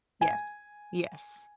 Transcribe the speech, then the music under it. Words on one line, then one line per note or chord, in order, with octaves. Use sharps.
Yes. Yes.
G#5